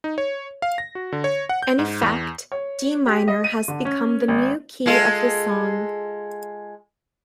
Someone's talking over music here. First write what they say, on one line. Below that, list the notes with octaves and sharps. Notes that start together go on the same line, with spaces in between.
In effect, D minor has become the new key of the song.
D#4
C#5
F5
A#6
F#4
D3
C#5
F#5
G6
G#2
E2
C#5
G4
D#5
D#7
D3
C#4
G#1
G#3 F4 A4